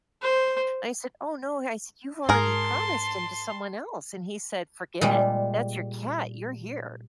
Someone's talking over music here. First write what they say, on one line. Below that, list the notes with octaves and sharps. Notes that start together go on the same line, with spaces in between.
I said, "Oh, no." I said, "You've already promised him to someone else." And he said, "Forget it. That's your cat. You're here."
C5
G#2 G#4 A#4 A5 C6
A#2 G3 G#3